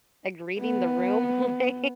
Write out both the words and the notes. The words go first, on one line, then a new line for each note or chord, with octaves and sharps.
like, reading the room, like,
B3